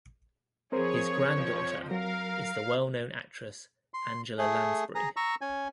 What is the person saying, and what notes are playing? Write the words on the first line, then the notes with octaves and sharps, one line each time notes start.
His granddaughter is the well-known actress Angela Lansbury.
F3 C4 G#4 A#4 C5 C#5
F2 F3
F#3 A#4 F5
C6
A3 G#4
G#4 A#5
A#5 C#6 E6
C#4 G#5